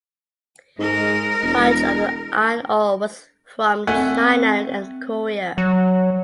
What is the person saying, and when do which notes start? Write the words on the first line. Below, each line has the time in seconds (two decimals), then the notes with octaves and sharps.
Much of the iron ore was from China and Korea.
0.79 G#2 G#3 A#4
1.43 E1
3.87 A3 C4 F#5 G#5
5.58 F#3